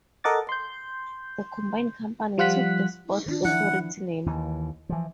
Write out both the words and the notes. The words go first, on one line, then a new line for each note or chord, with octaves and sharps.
The combined company took the Sports Authority name.
A4 A#4 D#5 F#5 D6 A6
C6 G6
F3 G3 F4 F#5 F#6 B6
D#3 D4
E3 F3 E4 F#5
D#2 E3
E3 F3